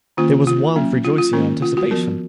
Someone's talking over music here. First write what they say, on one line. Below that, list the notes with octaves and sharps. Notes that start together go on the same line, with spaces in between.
There was wild rejoicing and anticipation.
D#3 A#3 C#4 F4
F4
F#3 A#3 C#4
F4
F4
D#3 A#3 C#4 A#4
F4
F#4
F3 B3 A#4